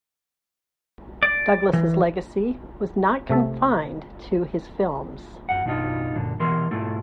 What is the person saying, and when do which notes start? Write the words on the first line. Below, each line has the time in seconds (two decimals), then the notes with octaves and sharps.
Douglas's legacy was not confined to his films.
1.23 D5
1.73 E3
3.30 C3 A3 E5 A5
5.49 F#2 F#5
5.65 F#2 B2 D4 D#4 F4
6.16 F#2 A#2 D3
6.39 C2 B2 E3 A#4 C6
6.71 B1 G#2 A3 E4 F4